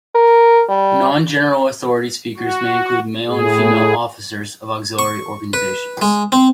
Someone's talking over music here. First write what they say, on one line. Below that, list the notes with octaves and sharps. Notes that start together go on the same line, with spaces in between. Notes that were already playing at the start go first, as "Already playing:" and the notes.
Non-general authority speakers may include male and female officers of auxiliary organizations.
A#4
G3
F#4
A2 G#4
C#6
B4
G#3
C4